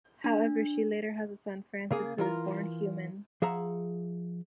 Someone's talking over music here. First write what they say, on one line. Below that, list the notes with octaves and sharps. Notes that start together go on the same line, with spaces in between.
However, she later has a son, Francis, who is born human.
D4
C#3 A#3 G#4
E3 F4 A#4
F3 G#4 E5 F#5 A#5